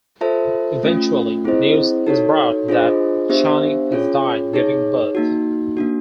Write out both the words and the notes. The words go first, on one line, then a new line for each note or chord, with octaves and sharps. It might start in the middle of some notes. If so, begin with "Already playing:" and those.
Eventually, news is brought that Chani has died giving birth.
F4 A4 C5 E5 A5
A3 C#4 F4
C4 E4 G#4 C5 D#5
D#4 F#4 A4 C#5
D4 F4 G#4 C5 D#5
B3 D4 G4 C5 E5
C#4 F4 G#4 C#5
D#4 G#4 C#5
A#3 D#4 F#4
A#3 D4 F#4